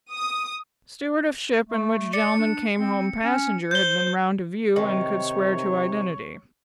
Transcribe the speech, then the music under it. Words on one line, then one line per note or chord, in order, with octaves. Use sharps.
Steward of ship in which gentleman came home passenger, had been round to view, and could swear to identity.
D#6
A3
D5 C#7
D4
C4
C#4
C5 G6 G7
C3 D#3 C#5